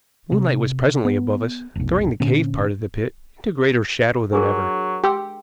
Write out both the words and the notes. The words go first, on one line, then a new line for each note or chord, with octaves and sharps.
Moonlight was presently above us, throwing the cave part of the pit into greater shadow than ever.
C3
B3
F1 B1
A#2 D3 C4 C#4
F#3 D4 G#4 A#4
G4 G5 C6 E6